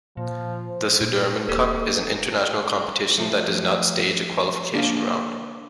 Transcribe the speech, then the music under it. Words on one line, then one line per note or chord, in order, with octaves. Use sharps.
The Sudirman Cup is an international competition that does not stage a qualification round.
A#2 F3
C5
A#2
D#1 A#3 G4 A4
F3 A3
A#3 D4 D5 F5